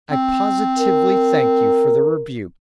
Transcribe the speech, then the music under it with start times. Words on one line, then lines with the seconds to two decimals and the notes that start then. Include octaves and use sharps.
I positively thank you for the rebuke.
0.11 C4
0.79 A#4